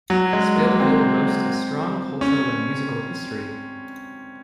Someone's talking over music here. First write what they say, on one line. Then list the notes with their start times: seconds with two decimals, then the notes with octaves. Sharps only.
Spillville boasts a strong cultural and musical history.
0.10 F#3
0.33 G#3
0.56 A#3
0.80 C4
2.21 C#4